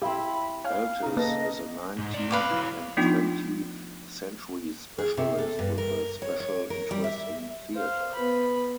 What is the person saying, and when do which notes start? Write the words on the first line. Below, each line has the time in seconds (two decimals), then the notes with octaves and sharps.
Eltis is a nineteenth and twentieth century specialist, with a special interest in theatre.
0.02 C4 E4 G4 F5 B5
0.64 C#5 F5 G#5 F6
1.02 C#3 D#4
1.17 A#3 A4 B4 D#5
1.98 G#2
2.14 C4 D5
2.31 B4 F5 D6
2.51 F#3 E4
2.97 F3 A3 B3 D4 D#4 F4
4.98 G#4
5.17 C3
5.38 A4
5.59 G2
5.78 A#4
6.22 C#5
6.40 C#5
6.70 A#4
6.91 G3
7.04 E5
7.74 C5 F5
8.15 B3 B5